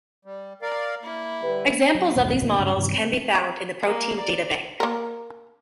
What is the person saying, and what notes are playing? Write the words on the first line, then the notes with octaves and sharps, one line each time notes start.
Examples of these models can be found in the Protein Data Bank.
G3
A#4 D5 F5
A#3 E4
D3 G3 B4
F#3
B1 E2 G2 B2
F#2 B2 D3 D#3
G2 C#3
G2 C3 D#3 F3
C4
A#3
D5
A#3 A#4